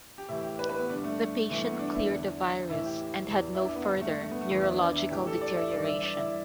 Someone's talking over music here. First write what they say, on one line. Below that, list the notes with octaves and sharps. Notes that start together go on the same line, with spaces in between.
The patient cleared the virus and had no further neurological deterioration.
G4
A2 E3 E4
G4
B4
B4
B3
G2 D3 D4
A3
G2 E3 A3
B3
D4
E4
E2 D3
A2 E3 E4
G4
E2 E3
E4
D4
B3
G2 D3
A3
A3
B3
A3
E2 E3 B3
E4
D4
D4
E4
A2 E3 G4
A4
D5
E5
G2 E3 D5
E5
D5
E4